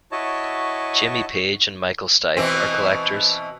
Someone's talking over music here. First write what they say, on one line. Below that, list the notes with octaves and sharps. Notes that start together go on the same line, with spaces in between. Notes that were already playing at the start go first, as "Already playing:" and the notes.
Jimmy Page and Michael Stipe are collectors.
E4 F#4 C#5 D#5 A5
B2 E3 C4